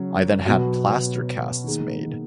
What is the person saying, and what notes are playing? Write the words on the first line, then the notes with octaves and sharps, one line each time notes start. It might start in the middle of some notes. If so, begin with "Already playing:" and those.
I then had plaster casts made.
Already playing: C#3 F#3 C#4
B2 F#3 B3 F#4
D#3 A#3 D#4 G#4